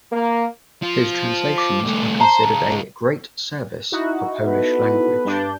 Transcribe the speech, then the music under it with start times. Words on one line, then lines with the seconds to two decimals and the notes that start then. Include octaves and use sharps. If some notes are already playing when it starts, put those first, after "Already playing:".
His translations are considered a "great service" for Polish language.
0.10 A#3
0.83 F3
1.58 D6
1.85 C2 A3
2.20 C5 A5 A#5
2.44 C#2
3.92 D#4 E4 F#4
4.46 B3 A4 B4
5.25 G2 D4 G6